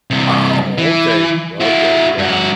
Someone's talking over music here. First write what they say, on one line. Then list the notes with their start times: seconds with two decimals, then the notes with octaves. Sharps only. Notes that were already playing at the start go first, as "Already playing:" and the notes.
Oh, okay, okay, yeah.
0.10 G2 C3
0.78 E3
1.61 E4 F#4
2.18 G2 F#4